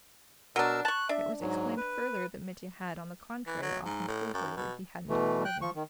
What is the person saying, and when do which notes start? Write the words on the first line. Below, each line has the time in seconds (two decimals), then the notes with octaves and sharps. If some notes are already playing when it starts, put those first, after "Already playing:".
It was explained further that Mitya had, on the contrary, often told her that he hadn't a farthing.
0.56 B2 F#3 D4 A#4 E6
0.85 A5 C#6 F#6
1.09 D4 E5
1.41 G#2 F#3
1.77 B4
3.47 E3
3.62 F#3
3.85 G#2
4.08 A2
4.34 F#2
4.56 B2
5.09 B2 E3 A3
5.45 G5 F#6
5.62 F3 C#6
5.76 D#3